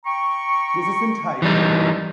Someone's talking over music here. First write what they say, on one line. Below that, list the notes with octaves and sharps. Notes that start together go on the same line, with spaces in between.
This isn't hype.
G5 A#5 C#6
E3 G3 D#4